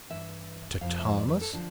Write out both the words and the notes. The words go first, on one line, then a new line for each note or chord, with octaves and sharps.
To Thomas!
G2 E3 E5
F2 C3 F3 F5
E5
D5
B4
A4
D3 F3 D4